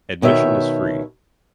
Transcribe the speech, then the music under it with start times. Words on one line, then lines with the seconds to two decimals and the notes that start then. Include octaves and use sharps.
Admission is free.
0.22 B2 D#3 C#5 E5